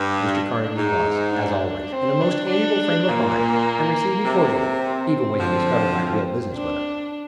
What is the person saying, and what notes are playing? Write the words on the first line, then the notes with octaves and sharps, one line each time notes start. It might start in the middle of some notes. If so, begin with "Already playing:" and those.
Mr. Carnegie was as always in a most amiable frame of mind, and received me cordially, even when he discovered my real business with him.
Already playing: G2
D4
G#2 D#4
D4
C4
D4
D4
A#2 A#3
C3
C4
D3 F3
D4